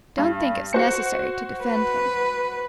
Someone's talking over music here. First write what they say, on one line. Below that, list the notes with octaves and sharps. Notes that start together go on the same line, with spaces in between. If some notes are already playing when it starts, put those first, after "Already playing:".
Don't think it's necessary to defend him.
G2
F#4 C5 C#7
B4